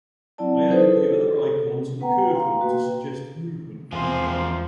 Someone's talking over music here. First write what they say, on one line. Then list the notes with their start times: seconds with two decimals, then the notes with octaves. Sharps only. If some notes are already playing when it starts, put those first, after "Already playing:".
I added the other icons and curved them to suggest movement from behind.
0.38 F#3 C4 E4 D5 A5
0.71 D#4 E4 A4 B4 C5
0.88 G#4 A4
2.00 B3 B4 F#5 G5 A#5
2.33 F5 G5 A#5 C6
2.60 A#3 F#4 B4
3.92 E2 E3 F3 G#3 C4 G#5 C6